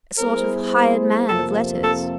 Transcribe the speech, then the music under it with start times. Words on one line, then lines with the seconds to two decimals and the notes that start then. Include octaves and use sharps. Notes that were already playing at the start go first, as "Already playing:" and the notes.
A sort of hired man of letters!
0.18 G3 B3 E4 G#4 A#4 C5
1.28 F2 C3 F3 A#3 A4
1.84 A4